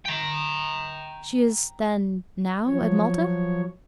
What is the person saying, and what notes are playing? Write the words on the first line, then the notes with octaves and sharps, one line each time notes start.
"She is, then, now at Malta?"
G5 A#5
F3 F#3 C#5